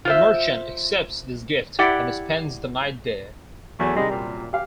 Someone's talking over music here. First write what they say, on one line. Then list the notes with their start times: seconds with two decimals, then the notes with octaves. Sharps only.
The merchant accepts this gift and spends the night there.
0.05 F4 C5 E5
1.79 E4 G4 D5 F#5
3.80 E2 F#3 A3
3.96 C3 D#3 G3 G#3
4.11 F#2 A#2
4.53 G4 F5